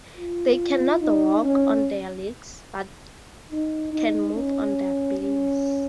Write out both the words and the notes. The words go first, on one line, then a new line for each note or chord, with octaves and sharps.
They cannot walk on their legs, but can move on their bellies.
F4
D#4
C#4
D#4
D#4
C#4
C#4